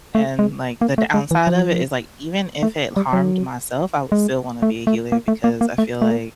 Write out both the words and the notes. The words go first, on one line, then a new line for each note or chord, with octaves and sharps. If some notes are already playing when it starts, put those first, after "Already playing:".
and like the downside of it is like, even if it harmed myself, I would still wanna be a healer because I feel like
A3
G#3
A#3
A3
G#3
E3
F3
A3
G3
F#3
G#3
A3
A3
A#3
A3
A#3
A#3
A3
A3
A#3